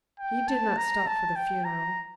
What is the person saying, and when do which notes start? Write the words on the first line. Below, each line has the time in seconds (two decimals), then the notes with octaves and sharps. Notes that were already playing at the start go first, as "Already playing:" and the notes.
He did not stop for the funeral.
0.19 G5
0.48 A5
0.77 A#5
1.07 A5
1.35 G5
1.64 A#5